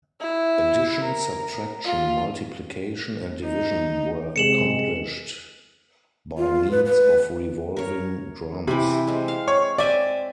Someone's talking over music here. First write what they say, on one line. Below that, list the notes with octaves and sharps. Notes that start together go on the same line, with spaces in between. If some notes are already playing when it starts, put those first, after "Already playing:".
Addition, subtraction, multiplication, and division were accomplished by means of revolving drums.
E4
A#4
F4
D#4
C3 G#3 C#7 E7 F#7
F4
B4
B4
A#4 C#5
C3 E3 G4 B5
G#3 C4
F5
C#5
C4 D5 E5 G#5